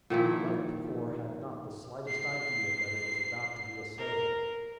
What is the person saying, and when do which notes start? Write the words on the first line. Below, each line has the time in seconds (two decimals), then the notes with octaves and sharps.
The Eleventh Corps had not the slightest idea that it was about to be assailed.
0.10 A#2 D#3 F3 E4
2.08 C7
3.98 A#4